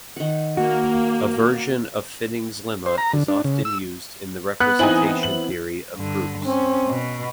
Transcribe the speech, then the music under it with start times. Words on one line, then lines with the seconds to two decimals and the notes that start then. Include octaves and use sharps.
A version of Fitting's lemma is often used in the representation theory of groups.
0.16 D#3 F#5
0.57 A#3 F#4
2.86 C5
2.98 A#5
3.13 D3
3.28 D4
3.44 C#3
3.65 E6
4.60 B3 F#6
4.79 E3 C4 D#4 E4 G#5 F#7
5.23 F#7
5.95 G2 D3
6.46 C4 C#4
6.88 B2